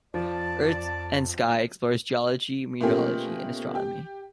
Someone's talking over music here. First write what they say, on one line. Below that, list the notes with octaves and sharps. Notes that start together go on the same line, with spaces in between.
Earth and Sky explores geology, meteorology and astronomy.
F2 F3 D5 A5
B2 A3 A#3 C#4 F4 G4
G4